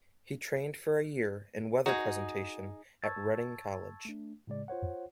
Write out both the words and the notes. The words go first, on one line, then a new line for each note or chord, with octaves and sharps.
He trained for a year in weather presentation at Reading College.
D#4 F#4 G#4
A5 C#6 E6 G#6 A6
A3 D4
A2 C#3 G#3 D5
F4 C5 C#5 F#5